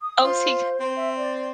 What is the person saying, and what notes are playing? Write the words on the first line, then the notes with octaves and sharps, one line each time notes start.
Oh, is he
D#6
F4 C5
C4
E5
D5